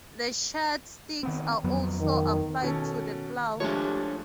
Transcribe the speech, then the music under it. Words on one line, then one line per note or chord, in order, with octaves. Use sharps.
The charred sticks are also applied to the plough.
D#3 B3 C4
F2 F#3 B3
D#3
B2 D#3 C#4 A4
F3 G#3 A3 D4 G4 C#5